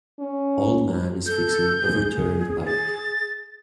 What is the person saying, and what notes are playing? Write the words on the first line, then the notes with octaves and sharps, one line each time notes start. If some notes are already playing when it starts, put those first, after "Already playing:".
Old man is fixing overturned bike.
C#4
A4 G6
G#4
A6